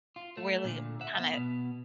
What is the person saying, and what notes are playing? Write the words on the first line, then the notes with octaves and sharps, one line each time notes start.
Really kinda
F4
A3
A#2 D3
E5 F#5
B3
B2 B3